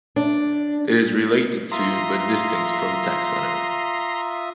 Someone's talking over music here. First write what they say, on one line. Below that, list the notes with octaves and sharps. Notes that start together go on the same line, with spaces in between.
It is related to, but distinct from taxonomy.
D4
F4 E5 A#5 C6 D#6